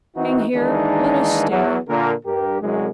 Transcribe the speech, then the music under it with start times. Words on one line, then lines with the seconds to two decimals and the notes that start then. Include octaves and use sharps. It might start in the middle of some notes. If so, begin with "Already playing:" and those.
'Being here, let us stay.
0.16 E3 C4 D#4 F#4
0.54 D#3 E3 G#3 A#3 D4 D#4
1.50 E2 F#3
1.88 A#2 D3 A#4
2.26 G2 G4 A#4
2.61 C2 F#2 G#3